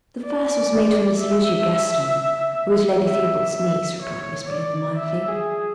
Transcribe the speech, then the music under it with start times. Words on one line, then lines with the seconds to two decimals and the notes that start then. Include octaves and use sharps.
"The first was made for Miss Lucia Gaston, who is Lady Theobald's niece," replied Miss Belinda mildly.
0.24 D5
1.19 E5
3.08 E5
3.55 E5
4.03 C#5
4.50 D5
4.98 E5
5.28 G#4